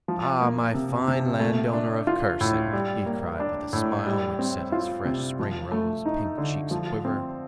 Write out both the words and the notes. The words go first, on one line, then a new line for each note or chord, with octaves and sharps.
"Ah, my fine landowner of Kherson!" he cried with a smile which set his fresh, spring-rose-pink cheeks a-quiver.
F3
A#3
C3
C3
A3
D4
F4
A2
G3
A#3
D4
A2
G3
C4
F4
C3
F3
A3
D#4
D3
F3
C4